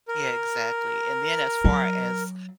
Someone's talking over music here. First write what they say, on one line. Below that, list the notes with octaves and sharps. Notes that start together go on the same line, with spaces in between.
Yeah, exactly, and then as far as,
A#4
F#3